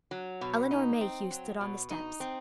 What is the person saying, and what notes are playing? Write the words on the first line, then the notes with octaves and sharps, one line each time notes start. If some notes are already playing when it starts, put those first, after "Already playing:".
Elinor Mayhew stood on the steps.
F#3
B2
D#4
C4
F#3
B2
D#4
C4